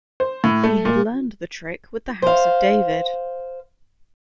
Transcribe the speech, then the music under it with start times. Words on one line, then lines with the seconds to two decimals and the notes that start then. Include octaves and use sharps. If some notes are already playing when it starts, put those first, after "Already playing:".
He had learned the trick with the House of David.
0.20 C5
0.44 A2
0.64 A3
0.85 A#2
2.22 C5 F5